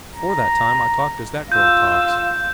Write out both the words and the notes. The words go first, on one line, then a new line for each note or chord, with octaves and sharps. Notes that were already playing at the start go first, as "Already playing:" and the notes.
Before that time I talked as that girl talks.
A#5
F4 E6 G6